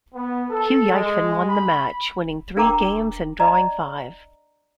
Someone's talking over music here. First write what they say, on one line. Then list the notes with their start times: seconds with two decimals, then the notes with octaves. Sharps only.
Hou Yifan won the match, winning three games and drawing five.
0.15 B3
0.49 A4
0.91 G#3
1.49 B5
2.57 D4 A#4 G5 A#5 D6
3.40 D5 D#5 A#5